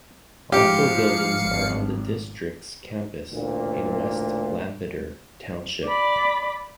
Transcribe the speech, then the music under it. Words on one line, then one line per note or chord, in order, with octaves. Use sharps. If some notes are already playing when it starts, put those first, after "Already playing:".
All four buildings are on the district's campus in West Lampeter Township.
G#2 F3 G#3 G4 F5 C#7
G#1
A1 D2 A#2
D5 B5